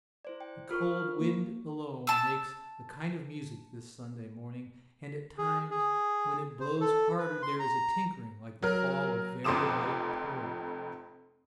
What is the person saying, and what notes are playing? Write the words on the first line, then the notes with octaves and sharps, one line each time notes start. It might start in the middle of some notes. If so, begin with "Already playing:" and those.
The cold wind alone makes a kind of music this Sunday morning, and at times when it blows harder there is a tinkling like the fall of very light pearls.
E4 C5 D5
G5
F4 A#4 C#6 F6
A#3
A5 E6
G#4
G#4
C5
A4
B4
C6
A#5
F#3 A#4
F1 F2 C6 D6 D#6 E7